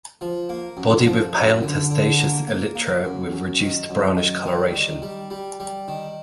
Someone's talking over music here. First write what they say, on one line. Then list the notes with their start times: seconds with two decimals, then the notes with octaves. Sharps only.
Body with pale testaceous elytra with reduced brownish coloration.
0.21 F3
0.49 A#3
0.77 F#2
1.06 F3
1.34 F#2
1.62 D3
1.90 D3
2.19 A#3
2.48 A#3
2.75 A#3
3.05 F#2
3.32 F#2
3.60 D#3
3.90 F#2
4.17 D#3
4.45 G3
4.74 D#3
5.02 G3
5.31 G3
5.60 G3
5.88 D#3